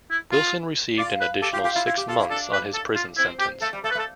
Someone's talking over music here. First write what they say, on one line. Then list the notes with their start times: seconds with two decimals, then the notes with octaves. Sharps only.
Wilson received an additional six months on his prison sentence.
0.10 E4
0.32 F4
0.98 F4 D5
1.20 B4
1.42 G4 A4
1.53 F4 G4
1.64 F4 G4
1.75 E4 F4
1.86 E4 F4
1.97 G4
2.08 F4 A4
2.19 E4
2.30 D4 A4
2.53 B4
2.74 A4
2.95 F4
3.17 C4 E4
3.39 G4
3.62 A3 A4
3.73 G3
3.84 A3 A4
3.91 B4
3.95 A3
3.99 A4